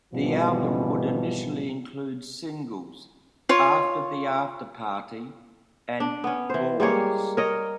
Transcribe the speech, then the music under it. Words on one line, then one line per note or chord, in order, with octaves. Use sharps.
The album would initially include singles "After the Afterparty" and "Boys".
G#1 B2 E3 F3 G3
F4 C#5
D4
B3 C#4
E3 C5
G3 G#3 A#3 C#5
A#4 C#5 D#5